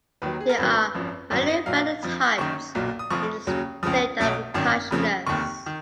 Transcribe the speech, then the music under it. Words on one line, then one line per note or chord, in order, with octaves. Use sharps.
There are many phenotypes in the state of consciousness.
D#2 D#3 F#3 B4
G#4
A#4
G#1 F#2 D#3 F#3 B4
G#1 F#2 F3
G#1 F#2 D#3 F#3
D#5
A#1 A#2 F#3 F5
F2 F3
F#1 F#2 D#3 C#6
B1 A#2 F#3
D#6
F1 F2 F3 C#6
D#2 C#3 F#3
C#2 C#3 F3 D#6
B1 B2 F#3
G#1 F#2 D#3
F2 C#3 F3
F1 D#2 D#3 C#6
D#3